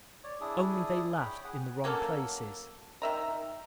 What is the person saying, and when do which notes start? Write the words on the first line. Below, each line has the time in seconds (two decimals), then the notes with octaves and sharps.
Only they laughed in the wrong places.
0.24 C#5 D5
0.41 D4 E4 G#4 D#6
1.20 C#5 G5 B5 D#6
1.44 G#4 F#5
1.84 F#3 A#3 C#4 A4
3.02 D#3 E5 A#5